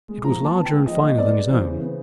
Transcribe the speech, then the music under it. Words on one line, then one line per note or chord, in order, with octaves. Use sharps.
It was larger and finer than his own.
G#3
F3 A#5
A#2
A5
B3
G5
G#3
F3 D#5
A#2
B3 D5
G#3
E3 C5
C#3
B3